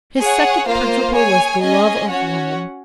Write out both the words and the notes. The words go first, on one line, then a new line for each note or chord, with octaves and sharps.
His second principle was the love of woman.
G#4 C#5 F#5
A#3 F4 C5 F5
G#4 C#5 G#5
C#4 G#4 D#5 G#5
C#4 F#4 C#5 F#5